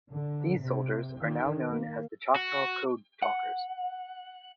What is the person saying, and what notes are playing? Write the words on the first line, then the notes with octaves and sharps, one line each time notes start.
These soldiers are now known as the Choctaw code talkers.
D3
C3
D#3
A#3
F#4
F#5